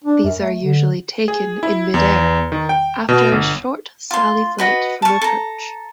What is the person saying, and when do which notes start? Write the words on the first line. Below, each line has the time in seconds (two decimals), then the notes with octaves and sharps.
These are usually taken in mid-air, after a short sally flight from a perch.
0.04 D4
0.24 F#2
0.40 A3
0.62 D3
1.28 G#4
1.63 E4
1.94 E2
2.52 D#3
2.69 G5
3.09 B2
3.32 G1
4.11 F4 C6
4.58 F#4 B4 D#5
5.02 A5 C#6
5.21 A4 A#5